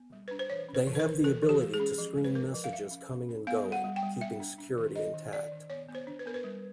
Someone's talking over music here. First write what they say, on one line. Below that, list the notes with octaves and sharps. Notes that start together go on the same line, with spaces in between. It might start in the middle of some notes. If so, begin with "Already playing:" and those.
They have the ability to screen messages coming and going keeping security intact.
Already playing: B3
G3
D4 B4
C5
E3 C#5
C#4
B4
E3
B4
A#4
E3
E3 A4
E3
G4
G#3
G#4
C#4
F3
G#3
B4
F3 A#4
F3
F5
F3 E5
C#4
C#4
C#4
B3 F5
G3
F#5
G3
G5
G3
B3 E5
D4
D4
D#3
D4 D#5
D#3
D4 D5
D#3
B3 C#5
B3
C5
D4
B4
B3 A#4
B4
G3